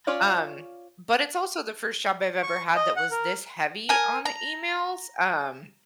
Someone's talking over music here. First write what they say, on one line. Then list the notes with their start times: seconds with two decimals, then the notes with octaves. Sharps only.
um, but it's also the first job I've ever had that was this heavy on the emails, um
0.07 C#4 F4 C#5 D5 F5
2.43 C#6
2.76 D#5
2.96 F#5
3.11 A#4
3.89 A#4 G#5
4.25 A#5